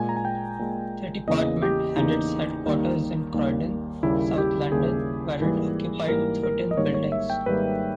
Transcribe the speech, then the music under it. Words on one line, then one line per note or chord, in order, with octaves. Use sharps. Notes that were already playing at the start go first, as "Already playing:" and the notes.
The department had its headquarters in Croydon, South London, where it occupied thirteen buildings.
Already playing: A#2 G#3 G#5
A#5
G#5
G5
A#2 G#3
E2 C#3 E3 A#3 D#5
G4
E2 C#3 E3 A#3 D#4
D#2 D#3 G3 A#3
D#2 D#3 G3 A#3
D#2 C#3 G3 A#3 E4
G4
D#2 C#3 G3 A#3 G#4
G#2 E3 G3 A#3
G#2 E3 G3 A#3 A#4
A#4
D#5
G#2 D#3 G3 A#3 C#5
C#5
E5
G5
G#2 D#3 G3 A#3 B4